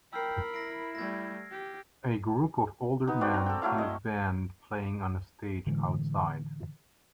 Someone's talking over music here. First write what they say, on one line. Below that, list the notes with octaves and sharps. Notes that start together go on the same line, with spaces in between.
A group of older men in a band playing on a stage outside.
A#4 G5 B5 E6 F6 C7
E4 A#6 C7 D7
G3 A3 G#6 A#6
G4
B3 D#4
C4 F#4 D5
A#5
A4 G5
F#3 A3 E4 F5
D#5
A2 D3 E3 G#3